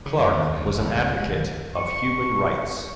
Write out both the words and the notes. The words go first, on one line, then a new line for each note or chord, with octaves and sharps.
Clarke was an advocate of human rights.
C#3
F#2
D#2
D2
G1
E1
C#2
G#3
D#3
C#6